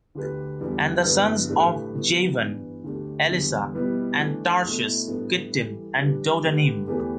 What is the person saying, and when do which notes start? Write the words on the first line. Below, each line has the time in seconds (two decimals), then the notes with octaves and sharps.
And the sons of Javan: Elishah, and Tarshish, Kittim, and Dodanim.
0.15 D2 D3 A3 G4 B4
0.60 E2 D3 G3 B3 E4
1.04 G2 D3 B3 E4 B4
1.49 A2 A3 D4 G4 B4
1.94 D3 G3 B3 E4
2.39 G2 E3 B3
2.83 D2 D3 A3 D4 G4
3.29 E2 D3 G3
3.74 B2 G3 B3 E4 B4
4.18 E3 A3 D4
4.62 B2 A3 E4
5.07 A2 G3 B3 D4 A4
5.52 E3 G3 E4 A4
5.97 E3 G3 D4 G4 B4
6.42 D3 A3 G4 B4
6.87 E2 E3 A3 G4 B4